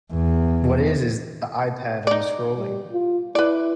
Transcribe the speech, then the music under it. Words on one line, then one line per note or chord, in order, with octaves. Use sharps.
What it is is the iPad and the scrolling.
E2
D#4 D5
G3
F4
E4 B4 D5